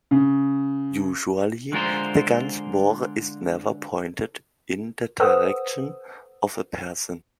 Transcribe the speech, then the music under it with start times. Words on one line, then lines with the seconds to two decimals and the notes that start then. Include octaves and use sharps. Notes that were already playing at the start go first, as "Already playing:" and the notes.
Usually the gun's bore is never pointed in the direction of a person.
0.11 C#3
1.72 D3 G#3 F4 A#4 C5
5.20 A4 B4 C5 F#5 D#6 E6